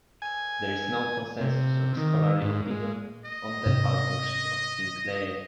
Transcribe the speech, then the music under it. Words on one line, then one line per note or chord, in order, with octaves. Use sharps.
There is no consensus of scholarly opinion on the authorship of "King Leir".
G#5
C3
D#3
G#2
G#3
D#5
G#2 C3 C4